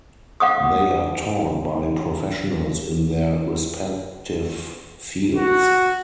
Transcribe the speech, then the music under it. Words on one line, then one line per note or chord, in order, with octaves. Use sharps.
They are taught by professionals in their respective fields.
F5 F#5 D6 D#6
F#4